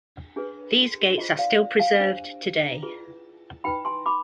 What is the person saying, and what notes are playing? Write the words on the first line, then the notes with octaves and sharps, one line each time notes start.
These gates are still preserved today.
D4 G#4 B4
F4 G#4 C5 D#5
D5 F5
F5 G#5
D4 G4 C5
F4 G#4 B4
D#4 B4 G5 B5
G#5 C6
B5 D6